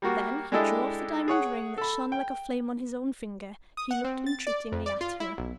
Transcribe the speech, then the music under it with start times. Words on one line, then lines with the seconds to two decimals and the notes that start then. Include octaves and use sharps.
Then he drew off the diamond ring that shone like flame on his own finger; he looked entreatingly at her.
0.02 G3 A#3 F#4
0.52 G#3 D4 E4 G4 A4 D#5
1.28 G#4 C#5 F#5
1.78 A4 B5
2.12 G5
3.77 D#6
3.91 F#5
4.05 C4
4.26 A6
4.47 D5
4.72 F2
4.86 D5
5.01 F4
5.20 E4
5.38 B1